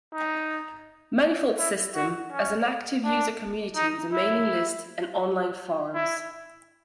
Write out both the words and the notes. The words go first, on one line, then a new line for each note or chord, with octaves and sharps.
Manifold System has an active user community with a mailing list and online forums.
D#4
E4
F#4
C#4
D4
D#4
E4
E4